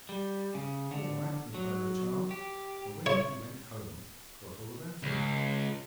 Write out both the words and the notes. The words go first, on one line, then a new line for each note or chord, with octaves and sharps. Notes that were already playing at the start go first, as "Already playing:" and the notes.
'All right,' replied the child, but when he went home forgot all about it.
G3
C#3
D3
F#3
G4
C#5
C#2